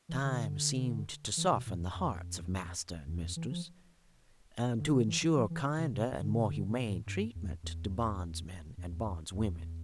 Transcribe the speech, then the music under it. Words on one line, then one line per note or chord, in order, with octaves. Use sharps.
Time seemed to soften the hearts of master and mistress, and to insure kinder and more humane treatment to bondsmen and bondswomen.
E3
D3
E3
B2
A2
F2
F2
E2
F2
E3
F3
D3
D3
E3
E3
F3
E3
C3
C3
D3
C3
D3
B2
A2
G2
E2
E2
F2
E2
E2
E2